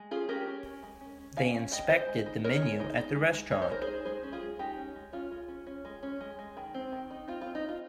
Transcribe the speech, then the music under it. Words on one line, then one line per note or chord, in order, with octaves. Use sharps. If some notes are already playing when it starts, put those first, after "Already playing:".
They inspected the menu at the restaurant.
Already playing: G#3
C#4 F4 G#4
C#4 G4 A#4
C#4
C#4
G#3
C#4
C#4
C#4 F5 G#5
C#4
G#3 D#5 G5
G#3 C5 D#5
G#3
D#4
D#4 A#4 C#5
G#3
D#4
D#4
G#3
G#3
G#3 C#5
C5
D#4 A#4
G#4 C5
D#4
G#3 G#4 C5
C#4
F4 G#4
G#3
G#3 D#4 G4
C#4
G#3
C#4 F4
G#3
C#4
C#4
G#3
C#4
G#3
G#3
D#3
C4
D#3
D#4
C4 F4
F4
C4
D#4
C4 F4